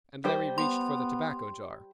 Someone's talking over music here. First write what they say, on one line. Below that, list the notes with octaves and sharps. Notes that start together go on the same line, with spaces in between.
And Larry reached for the tobacco jar.
G3 G4 C5
B3 C6